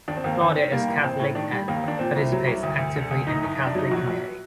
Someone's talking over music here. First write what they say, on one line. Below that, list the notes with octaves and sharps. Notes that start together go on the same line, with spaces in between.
Claudia is Catholic and participates actively in the Catholic community.
D#2 D4
C4
D#2 A#3
C4
D#2
D#3
G3 A#3
A1
A1 C4
A2
D#3 D4
G3
D#2 A#3
D#2 D4
A#2 C4
C2
F#3
C2
D2
D2
D3
D2
F#1 D#4
F#1
F#1
D4
F#3 D#4
A#1 F#4
A#1